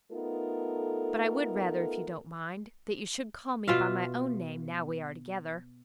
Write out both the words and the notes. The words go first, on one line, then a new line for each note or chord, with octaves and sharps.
But I would rather, if you don't mind, that you should call me by my own name now we are together.
A3 B3 D#4 F4 A4 A#4
B2 F4 E5 F5